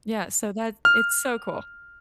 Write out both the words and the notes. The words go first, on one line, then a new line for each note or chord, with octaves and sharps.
Yeah. So that it's so cool.
F6